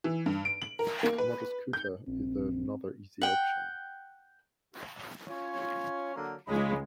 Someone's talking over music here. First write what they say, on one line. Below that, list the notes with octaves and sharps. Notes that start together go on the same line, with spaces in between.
Motor scooter is another easy option.
E3
G2
D7
F#7
A#4
A#3
B4
G6
A#1 C4
F#5 G5
C#4 F4 C#5
D3 F#3 A#3
C#2 G#3 D#4 F4 B5